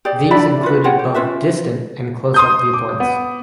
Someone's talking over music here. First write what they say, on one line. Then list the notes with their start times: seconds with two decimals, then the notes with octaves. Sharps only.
These included both distant and close-up viewpoints.
0.05 G4 G#4 D5
0.31 D4 E4 D5 B5
0.62 C#4 F4 F#4 B4
0.84 F4 C#5 F#5 G5
0.99 G4
1.15 C#4 F4 B4 E5
2.34 C6 D#6 G6
2.74 D6
3.00 B3